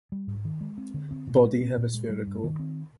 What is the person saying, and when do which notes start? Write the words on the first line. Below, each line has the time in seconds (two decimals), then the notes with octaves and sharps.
Body hemispherical.
0.12 G3
0.27 G#2
0.45 D#3
0.61 G#3
0.78 C4
0.94 D3
1.11 C4
1.27 A#2
1.44 G#3
1.61 C4
1.77 A#2
1.94 G#3
2.10 G3
2.26 G2
2.44 D#3
2.59 C4